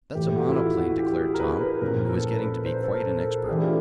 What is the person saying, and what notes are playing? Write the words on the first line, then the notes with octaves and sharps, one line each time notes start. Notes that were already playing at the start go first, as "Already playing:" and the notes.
"That's a monoplane," declared Tom, who was getting to be quite an expert.
A2 E3 A3 G4
F#4
E4
F4
F#4
G4
G#4
A#4
B4
B4
A#2 F3 A#3 C#4 A#4
A4
A#4
B4
C5
A4
A#4
A4
G#4
E3 A3 D4 G4
F4